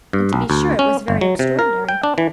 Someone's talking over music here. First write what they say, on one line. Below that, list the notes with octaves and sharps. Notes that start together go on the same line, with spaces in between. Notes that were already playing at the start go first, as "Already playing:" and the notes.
And to be sure it was very extraordinary.
G2
B1
D2
C#4
G1
F#3
C3
A#4
G5
D4
E3